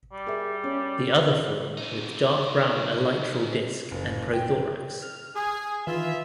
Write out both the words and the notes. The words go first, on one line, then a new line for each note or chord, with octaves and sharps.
The other form with dark brown elytral disc and prothorax.
G3
G#4 A#4 E5
C#4
C4 D#4
F#1
G5
F6
G#4 G#5
D#3 E3 F4 B4 E5